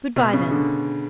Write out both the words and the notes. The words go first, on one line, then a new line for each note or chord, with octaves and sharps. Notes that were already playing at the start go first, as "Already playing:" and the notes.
"Good-bye, then."
B2
C#3
D3